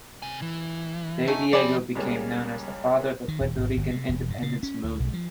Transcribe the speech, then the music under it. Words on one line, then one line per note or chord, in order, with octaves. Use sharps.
De Diego became known as the "Father of the Puerto Rican Independence Movement".
C3 G#5
E3
A3 D#4 F#4 G#5
F3 C4 G#4 D5 B5
C#2 C#3 G3 G#3 A#3
D#3
D#1
G#1
G1
C3
E1
G2
C#3
C#4
D2
B1
F3